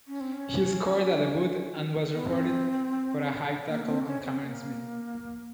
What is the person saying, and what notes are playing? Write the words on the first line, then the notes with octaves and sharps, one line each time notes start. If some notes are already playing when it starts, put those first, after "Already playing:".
He scored on debut and was reported for a high tackle on Cameron Smith.
C#4
C4
C#4
B3
C4
A#3
C4
C#4
C4
B3
A#3